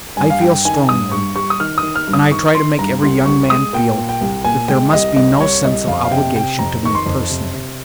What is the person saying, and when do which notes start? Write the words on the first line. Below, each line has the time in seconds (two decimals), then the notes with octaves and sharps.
I feel strongly, and I try to make every young man feel, that there must be no sense of obligation to me personally.
0.16 G2 G#5
0.30 F5
0.40 G2 G5
0.65 D#3 G#5
0.88 G2 D#6
1.12 G2 C#6
1.36 G3 C#6
1.50 D#6
1.60 D#3 F6
1.78 D#6
1.83 D#3
1.95 F6
2.07 G2
2.13 D#6
2.31 D#3 C#6
2.55 D#3 C6
2.78 G2 A#5
3.02 C2 C6
3.26 C2 C#6
3.50 G#3 D#6
3.73 A#2 G5
3.97 A#2
4.09 G5
4.21 C2
4.44 A#2 G#5
4.68 G#3 G5
4.93 C2 D#5
5.16 C2 D#5
5.40 C2 C#5
5.64 C2 D#5
5.87 F2 F5
6.05 F5
6.11 C3 G5
6.35 C3 G5
6.59 F2 A#5
6.83 D#3 C#6
6.95 C6
7.06 F2
7.30 C3
7.54 C3